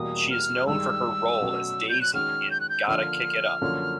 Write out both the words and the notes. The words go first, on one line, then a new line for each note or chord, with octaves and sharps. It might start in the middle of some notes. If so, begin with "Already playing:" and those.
She is known for her role as Daisy in Gotta Kick It Up!
Already playing: E2 B2 G3 A#3 D#6
F6
G2 D#3 G#3 E6
B2 F#3 A3 C#4 F#4
G6
F#6
D#3 G#3 C#4 F#4 F6
G6
F#6
G6
D3 F3 A#3 D4 F6
F#2 D3 F3 A#3 C#4